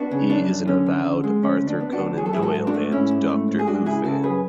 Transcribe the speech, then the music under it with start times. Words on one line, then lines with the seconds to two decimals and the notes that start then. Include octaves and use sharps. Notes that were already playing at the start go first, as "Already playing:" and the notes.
He is an avowed Arthur Conan Doyle and Doctor Who fan.
Already playing: B3 D4 F#4
0.11 C#3
0.30 F#2 D4
0.49 F#2
0.67 D3 C#4
0.86 D3
1.05 D3
1.24 G#3
1.42 D2 C#4
1.61 D2
1.67 D4
1.80 B3
1.92 D4 F#4
1.98 D2
2.17 F#3 G#4
2.26 A4
2.33 E4 G#4
2.36 G#2
2.42 F#4 A4
2.55 G#2
2.67 D4 F#4
2.74 A3
2.92 G#2 C#4 E4
3.11 G#2
3.30 A3
3.48 G#2
3.59 G#4
3.67 G#3 D4 F#4
3.85 C#3 E4 G#4
4.04 C#3 F#4 A4
4.23 F#2 G#4 B4